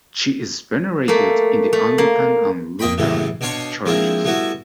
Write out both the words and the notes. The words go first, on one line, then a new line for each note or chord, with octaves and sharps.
She is venerated in the Anglican and Lutheran churches.
A3 A#3
A3
A#3
F2 A#3 D#5 G5 B5
F#2 A2 C#3 E3 F#3 G3
B2 D4 C#5 F5 C6 C#6
F3 G#3 A#3 C4 D4 E4
G3 A3 B3 E4 F#4